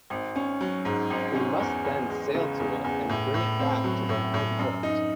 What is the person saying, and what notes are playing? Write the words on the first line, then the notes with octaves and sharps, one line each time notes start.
They must then sail to it and bring it back to their home port.
G#1
C#4
F#3
G#2
G#1
C#4
E2
E2
G#3
C#3
E2
E2
A2
A2
C4
F#3
A2
A2
F#2
D#4